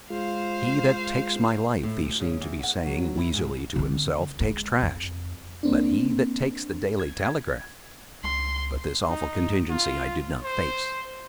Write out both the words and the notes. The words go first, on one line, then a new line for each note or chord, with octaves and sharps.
"He that takes my life," he seemed to be saying, wheezily, to himself, "takes trash: But he that takes the Daily Telegraph--!" But this awful contingency I did not face.
G#3 F4 C5 F5
A2
D2
C#3
E2
F#5
F#3
E4
G#2
D3 C4
G#3
F2
A#3 C4 D4
G#6
C#2 C6
D#4
F4
C5